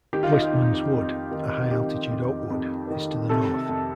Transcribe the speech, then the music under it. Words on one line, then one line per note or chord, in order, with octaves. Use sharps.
Wistman's Wood, a high-altitude oak wood, is to the north.
D#3 G4
F4
D#4
F4
F2
F2
D#3
D#3 G4
F2
F2
D#3
C3 A4
F2